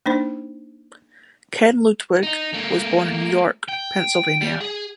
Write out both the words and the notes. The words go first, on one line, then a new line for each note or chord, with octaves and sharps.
Ken Ludwig was born in York, Pennsylvania.
A#3 D4 D#4 C5
D#4
A3 A#3
G5
G3
G#4